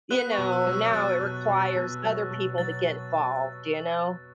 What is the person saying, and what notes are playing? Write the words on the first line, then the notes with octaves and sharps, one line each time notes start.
you know now it requires other people to get involved, d you know?
B3 F#6
C#6
B2
E6
F#3
F#6
B2 A6
B2
B2
B2
F#3
B2
F#3 A6